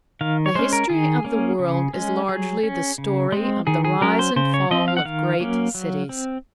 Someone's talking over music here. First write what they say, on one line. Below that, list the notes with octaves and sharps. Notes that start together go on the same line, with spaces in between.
The history of the world is largely the story of the rise and fall of great cities.
D#3 F5
C#5
G#3 C#4 C5
A#4
D#3 G#4
A#3 C#4
C#3
G#3 C#4
F#3 G#4
C#4
C#3
G#3 C4
D#3 G#4
G#4
F#3 C#4 A#4
C5
C#3 C5
C#5
F3 C4 D#5
F5
F#5
D#3 F5
F#3 A#3 C#4
F#3
C4